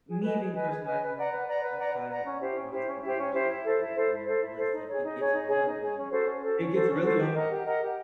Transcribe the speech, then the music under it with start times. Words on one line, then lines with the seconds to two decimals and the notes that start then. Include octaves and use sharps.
me being the person I am, I tried not to be delusional about it, you know? But l it's like, it gets hard when it gets really hard
0.09 G#4
0.24 B4 D#5 G#5
0.39 G#4
0.54 B4 D#5 G#5
0.71 G#4
0.86 B4 D#5 G#5
1.01 B4
1.17 D5 F#5 A#5
1.31 B4
1.48 D5 F#5 A#5
1.63 B4
1.78 D5 F#5 A#5
1.94 B4
2.10 D5 F#5 A#5
2.25 C#4
2.41 E4 G4 C5
2.55 C#4
2.71 E4 G4 C5
2.87 C#4
3.02 E4 G4 C5
3.18 C#4
3.33 E4 G4 C5
3.49 E4
3.63 A4 C5
3.79 E4
3.95 A4 C5
4.10 E4
4.26 A4 C5
4.41 E4
4.56 A4 C5
4.71 D#4
4.87 G#4 C#5
5.03 D#4
5.18 G#4 C#5
5.33 D#4
5.48 G#4 C#5
5.64 D#4
5.80 G#4 C#5
5.95 C#4
6.11 F#4 A4 C5
6.26 C#4
6.41 F#4 A4 C5
6.57 C#4
6.73 F#4 A4 C5
6.88 C#4
7.03 F#4 A4 C5
7.19 G4
7.34 A#4 D#5 F#5
7.50 G4
7.65 A#4 D#5 F#5
7.81 G4